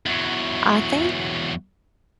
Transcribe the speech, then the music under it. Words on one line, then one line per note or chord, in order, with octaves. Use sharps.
I think
E2 F#3